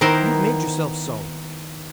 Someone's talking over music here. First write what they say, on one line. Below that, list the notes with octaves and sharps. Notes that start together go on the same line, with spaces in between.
You've made yourself so.
D#3 B3 E4 A#4 C5